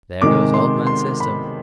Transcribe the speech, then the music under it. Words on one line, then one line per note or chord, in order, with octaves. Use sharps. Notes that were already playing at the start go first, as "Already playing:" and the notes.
"There goes old man System!"
C3 D#3 G#3 D6
C6
C6
B5